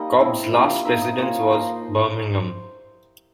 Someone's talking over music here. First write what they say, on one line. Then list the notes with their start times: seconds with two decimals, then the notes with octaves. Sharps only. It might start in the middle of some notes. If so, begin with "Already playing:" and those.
Cobb's last residence was Birmingham.
Already playing: G3 A#3 D#4 D#5
0.20 A3 C4 E4
0.52 G3 A#3 D4 F4
0.85 A#3 D#4 E5
1.02 D#5
1.18 A#3 C#4 F4 C#5
1.50 F3 A#3 D#4 C5